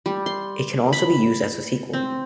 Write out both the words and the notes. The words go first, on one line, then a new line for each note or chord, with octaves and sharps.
It can also be used as a sequel.
G3
C6
B5
C4